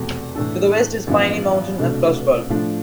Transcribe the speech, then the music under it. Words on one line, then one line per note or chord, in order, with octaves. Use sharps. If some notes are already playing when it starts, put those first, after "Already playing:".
To the west is Piney Mountain and Frostburg.
Already playing: F1 E2 B2 A3
A2 E3 A3 D4 A4
A1 G2 F3 B3
C2 B2 A3 D4
A2 F3 A3 D4